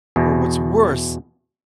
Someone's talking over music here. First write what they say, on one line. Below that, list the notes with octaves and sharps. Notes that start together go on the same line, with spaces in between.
or what's worse,
E2 B2